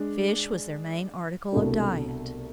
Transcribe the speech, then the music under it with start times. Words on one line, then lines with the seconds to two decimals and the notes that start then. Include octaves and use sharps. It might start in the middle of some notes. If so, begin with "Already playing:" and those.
Fish was their main article of diet.
Already playing: G#3 D4
1.52 C2 B2 A3 D4